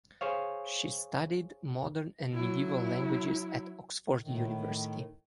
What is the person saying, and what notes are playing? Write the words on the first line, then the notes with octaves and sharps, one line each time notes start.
She studied Modern and Medieval Languages at Oxford University.
G#4 C5 C#5 F5
F#3 E4
A2 D#3